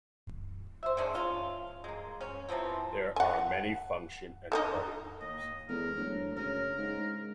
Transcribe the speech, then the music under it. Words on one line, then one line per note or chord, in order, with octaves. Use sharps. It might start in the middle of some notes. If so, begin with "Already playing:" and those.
There are many function and party rooms.
C5 E5
D#3 G#3 C#4 D4
C#4 F4
G#3 A#3
C#4
C3 E3 F3 C4
F#5 G#5
D3 D#3 D#4
D#2 D#5
E2 G#3 A4 A#4
D2 G#2 F#3
C#3 C#4 A#4
G#2